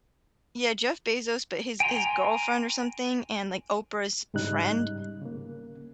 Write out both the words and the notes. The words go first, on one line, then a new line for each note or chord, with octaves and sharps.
Yeah, Jeff Bezos, but his his girlfriend or something and like, Oprah's friend,
G5 G#5 A#5 C6
G#2 C#3 G3 D#4 F#6
C#3 A#3